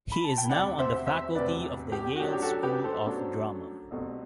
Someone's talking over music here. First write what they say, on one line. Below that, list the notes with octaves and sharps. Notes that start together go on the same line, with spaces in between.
He is now on the faculty of the Yale School of Drama.
B5
A5
G5
E1 D2 C3 D5 F#5
C5 E5
C5 E5
E1 D2 C3 B4 D5
G4
F#4
F#2 F#3 A3 D4 G4
G4
F#4 A4
G4 B4
A4 C5
F#2 F#3 A3 D4
C2 B2 A3 C4